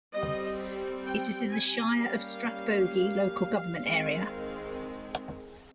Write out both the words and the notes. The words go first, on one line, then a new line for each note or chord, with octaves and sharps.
It is in the Shire of Strathbogie local government area.
G3 C4 D#5
G5
G#5
G3 A#3 C#4 F5
D#3 G#3 C4